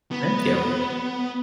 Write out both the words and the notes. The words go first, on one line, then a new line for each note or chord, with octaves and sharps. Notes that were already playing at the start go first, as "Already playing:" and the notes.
Thank you.
B3